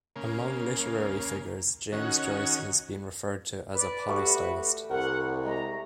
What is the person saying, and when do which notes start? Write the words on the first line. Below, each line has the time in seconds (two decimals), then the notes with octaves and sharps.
Among literary figures, James Joyce has been referred to as a polystylist.
0.16 C#3 A#3
1.92 D#3 C#4 F#4
3.75 B4 D5
4.08 G3 A3 F#4
4.90 C2 A#4 F#5
5.44 G#3 A#5